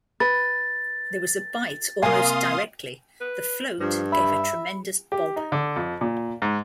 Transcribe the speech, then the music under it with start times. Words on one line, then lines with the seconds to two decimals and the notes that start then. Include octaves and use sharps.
There was a bite almost directly; the float gave a tremendous bob!
0.20 B4 A6
2.03 C3 A#3 F5 G#5 C6 D#6
3.21 B4
3.80 G2 F3
4.12 E5 B5
5.12 G4
5.36 D#4
5.52 D3
5.76 F2
6.01 A#2
6.42 G#2